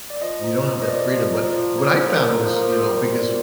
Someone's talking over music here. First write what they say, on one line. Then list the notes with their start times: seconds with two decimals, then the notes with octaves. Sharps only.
You don't have that freedom, but what I found was, you know, because
0.10 D5
0.21 F3 D#5
0.44 D#4
0.66 F3
0.82 D#5
0.88 A#3 D5
1.11 F3
1.33 D#4
1.55 F3
1.78 A#3
2.00 F3
2.16 A#4
2.22 D#4 C5
2.45 F3
2.56 A#4
2.67 A#3 C5
2.89 G3
3.12 F4